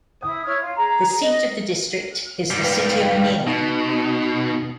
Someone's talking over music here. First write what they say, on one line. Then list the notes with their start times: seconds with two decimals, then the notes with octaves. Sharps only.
The seat of the district is the city of Nyon.
0.22 E4 D#6
0.45 E4 C#5 F6 G#6
0.60 F4
0.76 G#4 A#5
1.21 D#5
2.50 G#2 G3
2.64 B4 F5 G5
3.47 B2 D#4